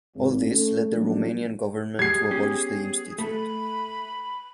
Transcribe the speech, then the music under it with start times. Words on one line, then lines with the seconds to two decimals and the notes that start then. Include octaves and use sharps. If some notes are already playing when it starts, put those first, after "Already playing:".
All this led the Romanian government to abolish the institute.
0.15 G#1
0.45 A3 C#4
0.93 F3 F#3 G#3 A#3 C#4 D4
1.99 G3 G#4 G#6 C7
2.31 B3 C#4 G4
3.18 A3 B5